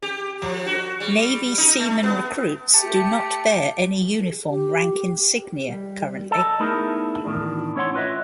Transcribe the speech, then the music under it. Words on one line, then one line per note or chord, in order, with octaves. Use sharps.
Navy seaman recruits do not bear any uniform rank insignia currently.
G4
F3
F#4
G3
D#4
A3
B3
A3 G4 A5 C#7
G4
G3
A4 D5 D#5 A5
A3 B3 D#4 E4 G#4 A#4
E2 A2 D#3 D4
C#4 E4 C#5 D5 F#5 C6
F4 B4 D#5 E5